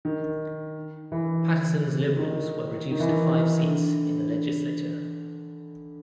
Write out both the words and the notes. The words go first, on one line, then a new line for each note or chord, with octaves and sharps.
Patterson's Liberals were reduced to five seats in the Legislature.
D#3
E3
D#3
D#3
E3
D#3
D3